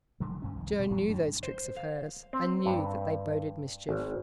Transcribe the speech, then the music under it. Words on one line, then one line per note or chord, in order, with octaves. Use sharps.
Joan knew those tricks of hers and knew that they boded mischief.
E1 D3 F#3
D2 G2 C#4
C2 F2 D#3
B2 D3 G3
A2 F3 G3 B3
F#2 A2 G3 D4
C5
F5
C4
G2
G#1